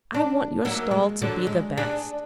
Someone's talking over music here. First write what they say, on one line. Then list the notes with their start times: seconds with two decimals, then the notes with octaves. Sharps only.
'I want your stall to be the best.'
0.14 D4
0.65 F#3 A#3 E4
0.91 G#3
1.22 D3 F#3
1.47 G#3
1.77 D4 G#4